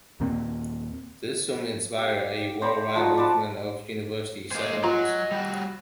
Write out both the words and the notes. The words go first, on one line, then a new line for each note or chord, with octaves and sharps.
This soon inspired a worldwide movement of university settlements.
D#2 A#2 A#3 C4
G4 F5
C5 D5 A#5 B5
F3 D#4 F#4
D5 A5 B5 C6
A#3 C5 D#5 G#5
F#3 F4 A#5
G3 F#4